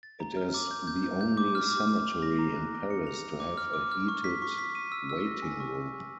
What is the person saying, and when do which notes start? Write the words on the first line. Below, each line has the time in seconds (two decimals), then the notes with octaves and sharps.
It is the only cemetery in Paris to have a heated waiting-room.
0.03 A6
0.20 A#5
0.37 F6
0.54 D6
0.71 G6
0.87 G6
1.04 G6
1.21 G6
1.37 D6
1.55 F6
1.72 D6
1.89 F6
2.06 D6
2.22 A#6
2.39 A#5
2.56 F#6
2.73 A#6
2.90 C#7
3.07 F7
3.23 C#7
3.40 D6
3.57 F6
3.74 D6
3.92 F6
4.08 C#6
4.24 B6
4.42 C#6
4.58 B6
4.75 D#7
4.92 E6
5.09 E6
5.26 A#6
5.42 G#5
5.60 C#6